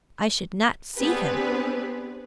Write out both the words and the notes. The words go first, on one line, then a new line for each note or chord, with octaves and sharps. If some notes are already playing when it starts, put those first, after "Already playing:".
"I should not see him."
B3 C4 D4 G4 G#4 B4